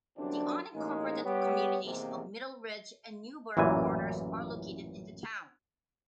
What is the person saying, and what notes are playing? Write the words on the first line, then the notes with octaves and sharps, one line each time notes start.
The unincorporated communities of Middle Ridge and Newberg Corners are located in the town.
G1 F#2 E3 C4 D4
A1 G#3 A#3 D#4
G3 B3 G4 C#5
E2 G#2 C3 A#3
A1 F#2 A#2 E3 G#5